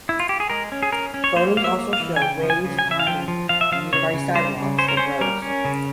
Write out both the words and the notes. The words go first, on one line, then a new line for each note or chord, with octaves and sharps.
Photos also showed waves ponding on nearby sidewalks and roads.
E4
F4
G4
G#4
G#3 A#4
C#4
G#4
C#4 A#4
C#4
C#5
A#3 C5
A#3 F5
E5
A#3
F5
E3
G#5
C#3 G5
F3
G#5
C#3
G#5
C#3
E5
F5
F3 G5
F3
F3 F5
E5
F3 F5
C#3 C#5
C#3
G3 C5
C#3
C#4 C5
A#4
C#4 C5
G3 A#4
C#4
C#3